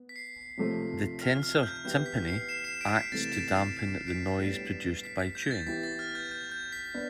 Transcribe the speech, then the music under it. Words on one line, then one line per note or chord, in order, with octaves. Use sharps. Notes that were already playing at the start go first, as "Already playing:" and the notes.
The tensor tympani acts to dampen the noise produced by chewing.
Already playing: B3
B6
C7
C3 F3 A3
F6
F6
G6
E3 B3 E4 G4 G6
B6
C7
C7 E7
C7 E7
B6 D7
B6
C3 E3 A3 A6
E7
B6 D7
C7 E7
C7 E7
B6 D7
A2 G3 B3 D4
B6
B6
G6
A6
E3 B3 E4 G4 B6
A6
F6
G6
G6
G6
B6
B3 D4